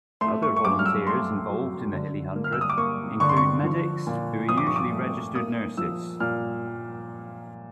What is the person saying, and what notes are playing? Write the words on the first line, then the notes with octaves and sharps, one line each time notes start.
Other volunteers involved in the Hilly Hundred include medics, who are usually registered nurses.
A3 C6
C#6
C#6
F#2 D6
F6
E6
A3 C6
F#3
D3
A#3
F6
E6
D#6
D6
A#3 C#6
D3 C#6
C6
C#6
F3
A#2
F3 D#6
D6
C#6
D6
A3
A#3 D#6
F3 E6
A#2 F6